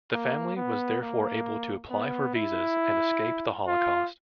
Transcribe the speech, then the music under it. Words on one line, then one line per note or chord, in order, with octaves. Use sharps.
The family was therefore able to apply for visas and escape the Holocaust.
A#3
B3
A#3
B3
E4
F4